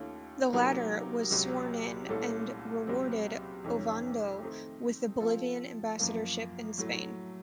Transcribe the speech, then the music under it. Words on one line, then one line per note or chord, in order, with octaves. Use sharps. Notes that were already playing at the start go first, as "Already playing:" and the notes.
The latter was sworn in and rewarded Ovando with the Bolivian ambassadorship in Spain.
Already playing: D#2 D#3 A3 C#4 F4
C3 F#3 A#3 D#4 A#4
C#2 C3 F#3
C2 A#2 A3 C#4 A4
C#2 C3 F#3 C4
F2 C3 D#3 A3 C#4
D#3 A3 C4 D#4
F3 C4 F4 A4
F#2 F3 A#3
A2 F#3 A3